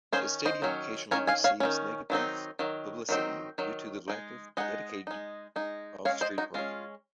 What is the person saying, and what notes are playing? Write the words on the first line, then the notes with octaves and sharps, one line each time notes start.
The Stadium occasionally receives negative publicity due to the lack of dedicated off-street parking.
D#3 F#3 C#4 G#4 C5
C5 D#5
D#3 F#3 C#4
D#3 F#3 C#4 A#4 C#5
F5 G#5
C#5 F5
D#3 F#3 C#4
D#3 F#3 C4 D#4
D#3 F#3
D#3 F#3 C4 D#4
D#3 F#3
G#3 D#4
G#3 D#4 D#5 F#5
G#3 D#4
G#3 D#4
G#3 C#4 C#5 F5
C5 D#5
D#4 F#4
G#3 C#4 F4